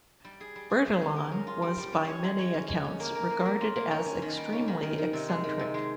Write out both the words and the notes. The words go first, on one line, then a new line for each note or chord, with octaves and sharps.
Bertillon was by many accounts regarded as extremely eccentric.
G3
G#4
G3
G#4
G#4
C#4
A#4
C#4
F4
G3
G3
C#4
C#5
G#3
C#5
C#4
C#5
C#4
A#3
A#4
A#3
A#3
F4
A#3
C#4
C#4
D#3
G3
C#4
D#3
D#3
D#3
C3
G#3
D#3
C3
G#3